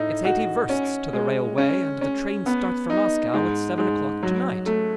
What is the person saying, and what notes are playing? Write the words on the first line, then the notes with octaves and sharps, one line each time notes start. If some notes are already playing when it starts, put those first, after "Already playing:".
It's eighty versts to the railway and the train starts for Moscow at seven o'clock to-night.
Already playing: A2 D#4
F#4
C#4
G#3
C#4
C#4
B3
D#4
G#2
G#2
F#3
A3